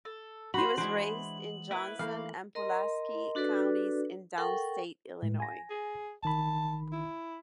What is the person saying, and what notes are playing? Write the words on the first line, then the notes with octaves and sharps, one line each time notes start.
He was raised in Johnson and Pulaski counties in downstate Illinois.
A4
F#4 C5 B5 F#7
E3 G#3 D4 E4 C5
A#3 E4 B4 E5
E3 A3 A#3 F5
A#4 D#5 A#5 C6
D4 F#4 A4 B4 D5
A4 A#4 F#5 G5 C#6
A2 G#3
G#5 A#6
G#4
G1 D#3 A5 B5
E4